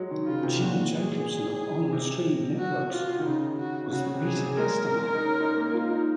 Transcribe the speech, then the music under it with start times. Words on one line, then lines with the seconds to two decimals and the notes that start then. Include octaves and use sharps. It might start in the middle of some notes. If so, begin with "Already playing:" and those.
Jim Jacobson of OnStream Networks was the Beta Customer.
Already playing: F#3 G#3
0.11 D#3
0.27 C#3 F4
0.43 C3
0.60 A#2 F#4
0.93 G#4
1.93 C3
2.59 F#4
2.92 F4
3.19 D#3
3.25 C#3 D#4
3.58 F#4
3.91 C#3 F#4
4.14 C3
4.24 G#4
4.36 C3
4.58 G#3 A#4
5.14 D#4
5.24 C#4
5.40 D#4
5.57 A#3
5.74 F4
5.91 D#4